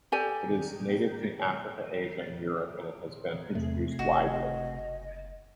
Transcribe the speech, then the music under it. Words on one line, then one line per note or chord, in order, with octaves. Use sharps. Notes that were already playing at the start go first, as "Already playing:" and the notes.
It is native to Africa, Asia, and Europe, and it has been introduced widely.
G4 A4 D5 G#5
E2 C3 A3
F#1 F#4 D#5